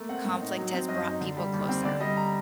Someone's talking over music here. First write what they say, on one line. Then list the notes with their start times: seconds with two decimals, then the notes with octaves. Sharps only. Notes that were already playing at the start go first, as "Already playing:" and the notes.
conflict has brought people closer?
Already playing: A3 A#3
0.09 C4 F#5
0.25 A2
0.41 D#4
0.57 F#3
0.73 C4
0.89 F#2 D#5
1.04 D#4
1.21 D3
1.37 G3
1.53 D#2
1.69 C4
1.85 D3 D5
2.00 G3 D#5
2.17 A#5